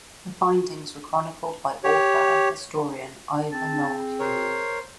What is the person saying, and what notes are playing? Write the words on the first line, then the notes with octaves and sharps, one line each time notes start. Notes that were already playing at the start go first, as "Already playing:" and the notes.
The findings were chronicled by author and historian Ivor Noel Hume.
G4 C#5
C4 G#4 A5
A#4 C5 C#5